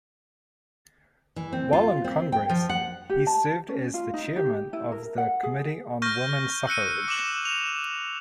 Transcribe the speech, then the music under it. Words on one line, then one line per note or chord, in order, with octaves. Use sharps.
While in Congress he served as the chairman of the Committee on Woman Suffrage.
E3
C4
F4
C4
G5
F3
F#5
G4
A5
C#4
F4
D#4
G4
E4
A#4
F#5
G#4
C#6 F6 G6 A#6
E6 F#6 C#7 D#7
D6 F#6 E7 F#7
F7